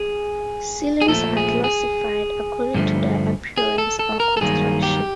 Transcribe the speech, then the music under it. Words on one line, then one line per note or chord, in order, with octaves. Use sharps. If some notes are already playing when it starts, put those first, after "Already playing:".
Ceilings are classified according to their appearance or construction.
Already playing: G#4
G#4
A#2 F3 A3 A4
G#4
G#4
G2 D3 F3 A3
G#4
A4
A4
A#4
A4
G2 D#3 F#3 A#3 G#4
G4